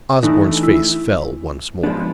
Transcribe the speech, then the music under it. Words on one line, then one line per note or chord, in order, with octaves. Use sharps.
Osborne's face fell once more.
E3 A3 D4 D#4
E4
F3 G#3 B3 D4